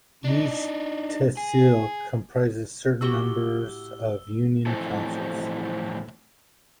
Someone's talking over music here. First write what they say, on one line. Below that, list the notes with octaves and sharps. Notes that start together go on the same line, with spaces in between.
Each Tehsil comprises certain numbers of union councils.
D4 D#4
G#4
A2 F#4 G4 E6 G7
F2 A2 E3 C4 A4